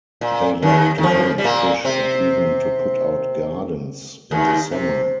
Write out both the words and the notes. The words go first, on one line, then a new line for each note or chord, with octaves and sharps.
They loved to hunt, fish and even to put out gardens in the summer.
A#2
D#2 D#3
D#3
F2 F3
G3
A#2 A#3
C3 C4
D#2 D#3
C3